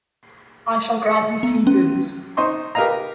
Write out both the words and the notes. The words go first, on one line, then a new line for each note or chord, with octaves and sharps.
I shall grant you three boons.
C#7
B3
C#4
D#4 C5 D#5 C6 C#6
G4 A#4 B4 D#5 F5 A#5